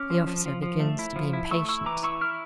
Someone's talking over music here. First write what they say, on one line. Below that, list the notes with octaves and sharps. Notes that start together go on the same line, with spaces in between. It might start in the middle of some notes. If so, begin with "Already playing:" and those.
The officer begins to be impatient.
Already playing: C#4 D6 F6
F3
F3
F3
F3
A3
E4
F3
E4
A3 C#6 E6
E4 C#6 E6
E3 A#5 D6
E4 C#6 E6
E4 F6